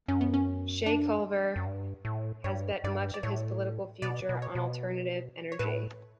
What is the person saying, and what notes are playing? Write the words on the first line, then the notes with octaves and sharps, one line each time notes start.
Chet Culver has bet much of his political future on alternative energy.
F#2 C#4
B3
C#4
D4
F#2
G2
A2
G2 C#5
G2 D5
D5
A2 C#5
B2 D5
B2
C#5
B2
C#5
A2 B4